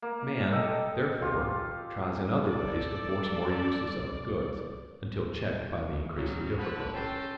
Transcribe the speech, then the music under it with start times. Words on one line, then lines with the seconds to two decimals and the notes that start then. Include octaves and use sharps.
Man therefore tries in other ways to force more uses out of goods, until checked by the increasing difficulty.
0.02 A#3
0.52 A4 D#5 G5
1.22 F4 G4
2.48 A4 D5
6.15 C#3 F#3 G3
6.58 D3 F3 B4
6.93 C#4 G4 A4 G5 A5 C6